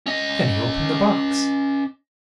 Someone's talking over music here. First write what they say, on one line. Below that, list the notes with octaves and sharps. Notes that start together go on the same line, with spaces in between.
Then he opened the box.
C#4 D#5